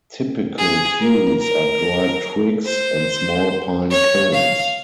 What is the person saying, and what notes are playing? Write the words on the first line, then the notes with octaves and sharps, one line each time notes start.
Typical fuels are dry twigs and small pine cones.
G#4
A#4
A#4
C5
C#5
F5